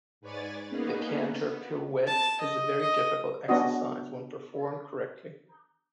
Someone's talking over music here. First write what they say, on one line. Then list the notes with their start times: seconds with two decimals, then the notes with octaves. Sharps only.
The canter pirouette is a very difficult exercise when performed correctly.
0.21 G#2 B4 C#5 D5 G#5 A6
0.68 A#3 B3 C#4 D#4 G#4 B4
1.42 B3
2.07 A5
2.40 D#5
2.81 D#5
3.48 B3 C#4 D4 F#4 D#5